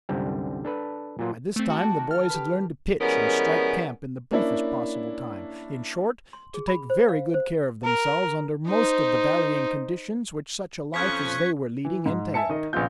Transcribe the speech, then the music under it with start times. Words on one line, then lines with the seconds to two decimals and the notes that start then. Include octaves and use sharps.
By this time the boys had learned to pitch and strike camp in the briefest possible time--in short, to take very good care of themselves under most of the varying conditions which such a life as they were leading entailed.
0.09 C2 F#2 D3 G3 C4
0.65 D4 A4 B4
1.19 A#2 F#3 F4
1.56 A3 C4
1.70 F#4 G5 A5 D6
1.97 D#3
2.11 A4 F6
2.30 G4 B4
3.01 E3 G3 G#3 B3 C#4 A#4
4.31 A#3 C#4 D4 E4
6.33 C6
6.54 G#4
6.68 B5
6.90 C5
7.08 F5
7.34 C5
7.84 A#4
8.68 D#4 C5
10.94 F2 F3 C#4 C#6 F#6 G#6 B6
11.85 E3
12.06 G#2
12.34 E5 G#5 A5 C#7
12.49 D#3 D#5
12.73 A#1 C#3 B3 F4 G6